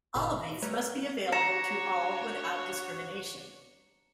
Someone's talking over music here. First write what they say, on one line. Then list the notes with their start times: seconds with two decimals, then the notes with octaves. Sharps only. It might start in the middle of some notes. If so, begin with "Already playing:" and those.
All of these must be available to all without discrimination.
0.15 G1 A#2 A4 F5 B5
0.41 A#6
0.62 G3 A3 B4 C#5 A#5 F6
1.32 D4 F#4 C#5 A#5 C#7 E7